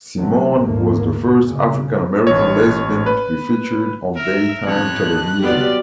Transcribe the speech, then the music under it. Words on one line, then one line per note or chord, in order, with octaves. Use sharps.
Simone was the first African-American lesbian to be featured on daytime television.
C3 E3 F#3 A3
A#1 D#2 G#2 D3 A3 A#3
G2 A#2 C#3
A1 C#5
B4
A#4 E5
A1 F2 C#5 F#6
F#3 B3 F4 G4 D5